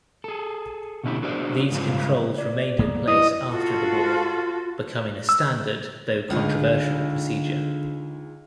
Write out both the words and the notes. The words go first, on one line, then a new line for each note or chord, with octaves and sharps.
These controls remained in place after the war, becoming a standard, though controversial, procedure.
G#4 A4
B2 D3 C#4 D#4 E4 G4
D4 F#4 G#4 A#4 C5 D5
G#2 C#3 F3 G3 C4 F4
D5
F#2 A#3 B3 D5
E4 B4 D#5
F4 F#4 A4
E6
C#2 D3 D#4 F4 G#4